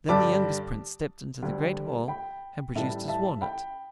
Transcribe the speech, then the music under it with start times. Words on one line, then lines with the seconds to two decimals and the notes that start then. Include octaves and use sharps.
Then the youngest Prince stepped into the great hall and produced his walnut.
0.09 G2 D3 G3 A5 D6
1.42 D2 D3 G3
2.08 G5 B5
2.75 A2 E3 G3 E5 A5
3.08 E5 A5
3.41 G5 B5